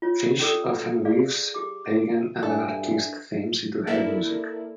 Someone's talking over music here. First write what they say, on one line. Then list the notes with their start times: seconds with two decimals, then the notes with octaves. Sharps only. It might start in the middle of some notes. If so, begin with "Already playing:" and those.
Fish often weaves Pagan and anarchist themes into her music.
0.02 F4 C#5
0.39 C#4 G4 A4 D5 D#6 E6
1.05 G#4 D5 F5
1.55 G4 D6
2.43 G2 D4 A4 D5 E5 G#5
3.87 A#3 E4 A4 A#4 D5 E5